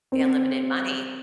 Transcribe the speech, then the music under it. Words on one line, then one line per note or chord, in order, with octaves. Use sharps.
The unlimited money,
C4